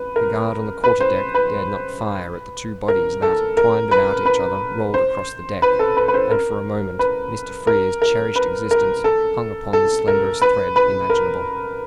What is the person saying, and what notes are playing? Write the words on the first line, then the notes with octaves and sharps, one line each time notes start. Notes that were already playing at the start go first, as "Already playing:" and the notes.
The guard on the quarter-deck dared not fire at the two bodies that, twined about each other, rolled across the deck, and for a moment Mr. Frere's cherished existence hung upon the slenderest thread imaginable.
Already playing: B4
A#4
B4
C5
B4
A#4
A4
A#4
B4
B4
C5
B4
A4
B4
B4
C5
A#4
B4
A#4
A#4
B4
A#4
A4
A4
A#4
B4
B4
A#4